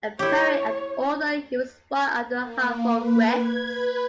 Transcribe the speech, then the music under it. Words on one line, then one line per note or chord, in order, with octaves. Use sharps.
A poet and author, he was one of the Hartford Wits.
E4 G4 C#5
A#3
B4
G#6
B4